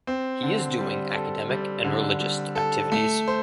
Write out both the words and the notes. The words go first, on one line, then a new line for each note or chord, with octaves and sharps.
He is doing academic and religious activities.
C4
D3
G3
A4
G3
D3
G3
A4
A3
C5